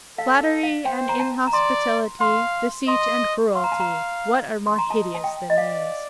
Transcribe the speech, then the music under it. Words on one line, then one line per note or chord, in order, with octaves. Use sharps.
Flattery and inhospitality, deceit and cruelty,--what are more hideous than these?
A4 F5
F5
C5 G5
A#5
A5
A#5
D5 C6
F5 C6
D#5 C6
F5 C6
A#5
A5
A#5
C6
A#5
D#5 A5
A5
G5
D#5
D5 F5